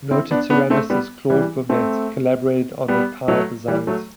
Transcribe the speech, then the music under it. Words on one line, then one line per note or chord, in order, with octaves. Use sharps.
Noted ceramicist Claude Vermette collaborated on the tile designs.
C4 E4
B3 D4
B3 D4
A3 C4
G3 B3
E3 G3
A3 C4
G3 B3
F#3 A3
E3 G3
F#3 A3